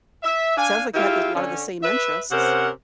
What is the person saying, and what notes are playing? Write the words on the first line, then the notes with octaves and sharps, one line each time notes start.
sounds like you have the a lotta the same interests.
E5
D4 F5 G#5
E4 F4 G4 G#4 E5 F5
D3 C#4
B4 E5
C3 C#4 A#4 C5 F#5